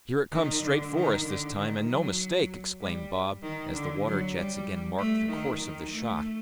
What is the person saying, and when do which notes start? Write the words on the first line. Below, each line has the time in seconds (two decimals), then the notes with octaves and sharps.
"Here it comes straight for us this time, and no mistake," exclaimed Bob, as the water-jets again marked the course of the shot.
0.32 D#3
0.63 D3
0.95 D#3
1.25 D3
1.57 D#3
1.88 F#3
2.80 G3
3.43 D#3
3.74 D3
4.04 F#3
4.36 G3
4.98 A3
5.29 D#3
5.60 D#3
5.90 A3